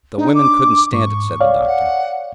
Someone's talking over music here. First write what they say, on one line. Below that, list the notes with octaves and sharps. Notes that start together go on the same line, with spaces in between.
"The women couldn't stand it," said the Doctor.
D4 D#4
D6
G#2 C#6
C#5 D5 F5
F#5